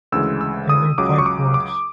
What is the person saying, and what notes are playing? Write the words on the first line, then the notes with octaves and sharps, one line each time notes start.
There were five wards.
D2 C#3 E3 G#3 E6
E6
D#6
C#2 C#3 F#3 D6
C#6
D6
D6